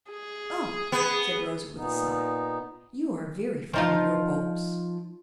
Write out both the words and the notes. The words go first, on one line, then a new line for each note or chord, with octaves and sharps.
"Oh!" said Rosa, with a sigh, "you are very fond of your bulbs."
G#4
B3
A#2 B3 D#4
F3 D#4 F4